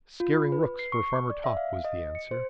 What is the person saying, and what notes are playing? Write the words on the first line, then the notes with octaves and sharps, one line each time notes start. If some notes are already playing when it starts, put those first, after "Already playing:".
'Scaring rooks for Farmer Topp,' was the answer.
F4
B5
B4
C7
C#6
D5
E5
F5
D#5
C#7
C5